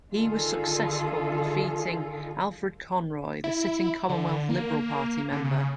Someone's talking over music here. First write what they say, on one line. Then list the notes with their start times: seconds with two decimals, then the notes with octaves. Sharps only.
He was successful, defeating Alfred Conroy, the sitting Commonwealth Liberal Party member.
0.12 D3 D#3 F4 G#4 A4
3.44 E4
4.09 D3
4.49 A#3
5.32 D3
5.44 C#3